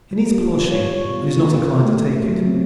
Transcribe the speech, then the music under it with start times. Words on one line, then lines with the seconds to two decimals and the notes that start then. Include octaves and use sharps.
He needs polishing and is not inclined to take it.
0.11 G3
0.39 F4
0.71 C#5
1.07 B2
1.19 F4
1.38 A#3
1.83 A3
2.29 F#3
2.47 C4